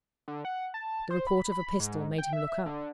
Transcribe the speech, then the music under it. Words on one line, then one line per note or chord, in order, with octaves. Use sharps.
The report of a pistol made him look up.
D3
F#5
A5
C5
B5
B5
G#2
G5
E5
D3